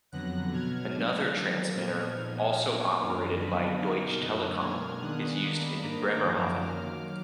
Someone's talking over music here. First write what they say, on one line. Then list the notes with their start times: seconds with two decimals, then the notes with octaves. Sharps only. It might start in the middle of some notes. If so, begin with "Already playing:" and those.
Another transmitter, also operated by Deutsche Telekom, is used in Bremerhaven.
0.12 F2 D3 F#3 B3 F#6 A#6
0.53 B2 F#3 B3 F6 G#6
0.94 D3 G#3 D4
1.35 D#3 F#3 A#3
1.75 A#2 G#3 B3 F6 G#6
2.17 A#2 F3 B3 D#4
2.57 A#2 F#3 D4
2.97 F#2 D#3 A#3 D4 D6 F6
3.38 D3 F#3 B3 D4 B5 D#6
3.80 B2 A#3 D#4 D6 F6
4.19 F#2 D3 G#3 D#4 D#6 F#6
4.60 B2 A#3 D4 F6 G#6
5.01 D#3 G#3 B3 D4 D#6 F#6
5.42 D#3 A#3 D4 B5 D#6
5.82 G#2 D#3 A#3 D4 A#5 D6
6.24 F#2 D3 F3 A#5 D6
6.64 D#3 F#3 A#3 D6 F6